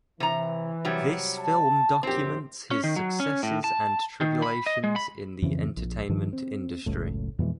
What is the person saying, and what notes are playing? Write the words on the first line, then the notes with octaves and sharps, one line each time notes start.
This film documents his successes and tribulations in the entertainment industry.
C3 E3 A#5
C3 F#3 G3
A5
A#1 F#2 C4 G4
C#4
D#3
F#3
C#4
A2
A5
D#3
B5
D#5
G#3
B5
F2 C#3 E3 C4
A#1
G2 D#3 F3
C4
F#1 C#2 A2
F2 B2 E3 G#3